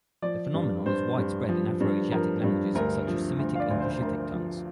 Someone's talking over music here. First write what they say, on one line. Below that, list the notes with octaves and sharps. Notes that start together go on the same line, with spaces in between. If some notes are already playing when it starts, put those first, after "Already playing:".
The phenomenon is widespread in Afroasiatic languages such as Semitic and Cushitic tongues.
F3 D5
G2
G2 C5
G2
F3
G2
F3 A#4
G2
D2 A#4
F3
D2
F5
D5
D2
C5
D2 A#4
F3